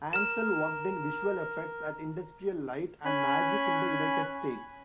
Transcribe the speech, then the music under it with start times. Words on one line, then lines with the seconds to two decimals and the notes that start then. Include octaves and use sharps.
Ansel worked in visual effects at Industrial Light and Magic in the United States.
0.13 A#4 F6 E7
3.05 C#4 G#5 B5 F#6